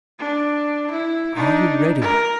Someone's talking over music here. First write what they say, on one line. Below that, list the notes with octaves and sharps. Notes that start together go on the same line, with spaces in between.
Are you ready?
D4
E4
D4 D#4
A#4